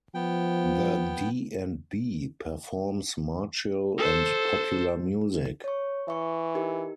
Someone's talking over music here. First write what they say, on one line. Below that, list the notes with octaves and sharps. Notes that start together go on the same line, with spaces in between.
The D and B performs martial and popular music.
F3 B3 G5
A4 C5
C#5 C#6
E3 E5 C#6
D#4 G4 A#4